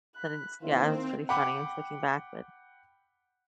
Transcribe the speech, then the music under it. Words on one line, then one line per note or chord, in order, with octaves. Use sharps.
then it's, yeah. It was pretty funny looking back. But
B5 F#6
D#3 A#3 C4 E4 C5 F5
F#5 G5 B5 D6